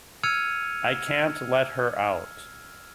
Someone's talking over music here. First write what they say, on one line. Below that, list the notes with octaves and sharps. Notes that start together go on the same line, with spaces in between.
I can't let her out.
E6 F6 G#6 C#7 D#7 F7